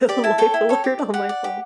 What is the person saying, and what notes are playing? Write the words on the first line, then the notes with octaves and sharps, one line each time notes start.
Life alert on my phone.
G4 D5
E4 A5
A4 C#5 G5
E4
A4 C#5
G4
D5
G4 F#5
D5
G4